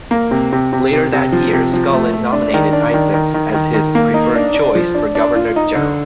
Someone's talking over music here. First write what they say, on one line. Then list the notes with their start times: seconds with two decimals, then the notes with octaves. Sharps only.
Later that year, Scullin nominated Isaacs as his preferred choice for governor-general.
0.11 A#3
0.31 C3
0.52 C3
0.73 C3
0.93 C3
1.13 C3
1.32 F3
1.53 C3
1.73 F3
1.93 A3
2.14 A3
2.33 D4
2.54 D#3
2.73 D4
2.94 D#3
3.14 D#3
3.34 D#3
3.54 D#3
3.74 D#3
3.95 A#3
4.14 D#4
4.35 D4
4.54 D4
4.75 F3
4.95 D4
5.15 D4
5.35 F4
5.56 D#4
5.75 D3